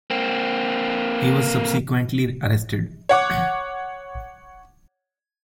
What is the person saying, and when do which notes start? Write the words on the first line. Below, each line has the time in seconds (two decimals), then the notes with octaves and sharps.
He was subsequently arrested.
0.10 A#3 C4
3.09 C#5 F#5 D6